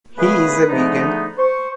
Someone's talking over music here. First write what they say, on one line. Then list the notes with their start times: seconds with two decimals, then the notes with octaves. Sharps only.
He is a vegan.
0.17 A#2 C#3 A3 B3 G#4 B4
0.68 G#2 D3 F3 A3 B3 D#4
1.38 C5 C#6